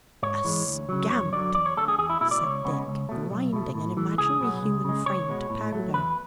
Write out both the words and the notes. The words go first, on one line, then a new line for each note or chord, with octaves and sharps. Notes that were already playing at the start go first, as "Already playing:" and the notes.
"A scamp!" said Dick, grinding an imaginary human frame to powder.
G#2 C#5
E3 G#3
D2
C#3 F#3
F#2 C#5
D3 F#3 D5
E2 D5
C#5
D3 A3 A4
G#4
E2 G#4
E4
B2 A3 E4
D5
C#2 C#5
C#3 G#3 B3
C#2
B2 A3
B1
B2 A3
A2
E3 A3
C#2 G#4
B2 F#3 B3
C#2
C#3 G#3
C#2 C#5
B2 G#3 B3
A2
F#3 A3
E2 B4